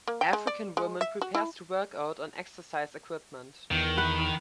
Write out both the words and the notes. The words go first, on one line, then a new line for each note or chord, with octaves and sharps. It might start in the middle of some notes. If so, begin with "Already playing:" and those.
African woman prepares to workout on exercise equipment.
A#3
G5
G#3
D5
G#3
E5
F#4
E4
E2 D#3
B4 F#5